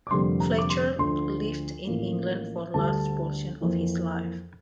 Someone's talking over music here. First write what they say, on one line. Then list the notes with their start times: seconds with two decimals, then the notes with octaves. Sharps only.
Fletcher lived in England for a large portion of his life.
0.07 D6
0.11 F1 F2 D3 G3 A#3 C6
0.40 A#5
0.58 D6
0.70 C6
0.99 D2 D3 F3 C6
1.87 A1 A2 F3 A#3
2.74 D2 D3 G3 A5
3.61 F2 E3 A#3